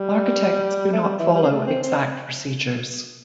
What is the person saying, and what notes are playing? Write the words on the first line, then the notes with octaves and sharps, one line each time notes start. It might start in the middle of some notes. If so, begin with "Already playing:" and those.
Architects do not follow exact procedures.
Already playing: G3
A3
G3
E3
G3
C4
A3
C4
C4